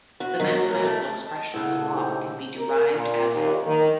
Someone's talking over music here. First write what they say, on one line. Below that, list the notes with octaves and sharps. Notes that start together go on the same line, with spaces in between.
The mathematical expression of the law can be derived as following.
F#4
D#3
F#3
A#4
A3
D#5 A5
A#2 C#3 A3 E4 F#5
D#4 G4 A4 C5
A#4
A#2
D#2
D#3